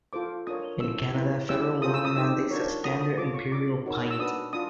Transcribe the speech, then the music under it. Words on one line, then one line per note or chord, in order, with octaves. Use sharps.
In Canada, Federal law mandates a standard imperial pint.
F4 A4 C5 D6
D4 F4 A#4 C#5 D#6
C#4 E4 A4 C5 E6
E4 G4 B4
E4 G4 C5 E6
C#4 F4 A4 C5 D#6
E6
D#6
D#4 G4 C5 E6
D4 F4 A#4 C#5
F#4 A4 C5 D#6
D#6
F4 A4 C#5 D6
C#6
D4 F4 G#4 D6
D#4 F#4 A#4 C#5
E6
D4 F#4 B4 D#6
D4 F4 D#6